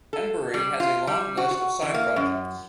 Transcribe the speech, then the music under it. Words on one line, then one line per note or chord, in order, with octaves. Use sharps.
Embury has a long list of side projects.
A4
G3
F4
G3
F#4
F#4
E3
A#3
F#2